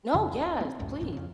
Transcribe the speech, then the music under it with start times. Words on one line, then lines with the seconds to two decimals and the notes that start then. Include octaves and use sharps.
No, yes, please.
0.14 F2 C#3
0.32 D1
0.61 A#3 C4
0.79 C#2 F#2 A2
1.01 A1 F#2 A#2
1.13 F2 C#3